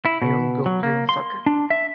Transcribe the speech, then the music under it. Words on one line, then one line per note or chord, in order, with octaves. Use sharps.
A young girl playing soccer.
E4
B2
F#3
A#3
C6
D4
E5